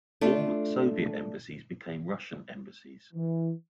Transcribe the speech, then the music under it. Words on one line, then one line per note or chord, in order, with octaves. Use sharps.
All Soviet embassies became Russian embassies.
A3 D4 F4
E3